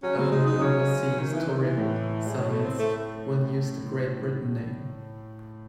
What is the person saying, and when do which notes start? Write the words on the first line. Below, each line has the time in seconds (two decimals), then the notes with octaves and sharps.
Only overseas touring sides will use the Great Britain name.
0.03 F#3 C#4
0.18 G#3 C4
0.32 G#3 D#4
0.46 F#3 D#4
0.61 C#3 C#4
1.19 D#3
1.34 E3
1.48 D#3
1.63 E3
1.78 A2
2.26 G#3
2.35 F#3
2.49 A3
2.65 C4
2.79 A3